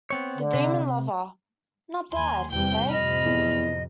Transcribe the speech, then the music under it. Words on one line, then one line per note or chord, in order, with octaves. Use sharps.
"The Demon Lover " — not bad, eh?
B3 C4 C#5
D3
C3
D#2 G#5 C6
E2 C3 G3 G5 G6
F2 A2 C3 D#5 B5 F6
E2